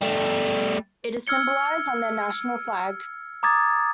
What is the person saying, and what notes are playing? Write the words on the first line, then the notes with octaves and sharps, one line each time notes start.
It is symbolised on their national flag.
G3 A3
E6 F6 G#6 C#7 G7
A#5 D6 D#6 G#6 A6